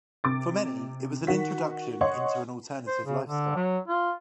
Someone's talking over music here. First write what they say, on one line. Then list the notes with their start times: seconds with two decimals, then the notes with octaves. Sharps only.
For many it was an introduction into an alternative lifestyle.
0.24 C3 D6 A6
1.27 D#3 F#4 B6
2.01 C#5 D#5 F#5 C6 C#6
2.87 C5
3.06 C#3
3.27 D3
3.56 F#3
3.88 F4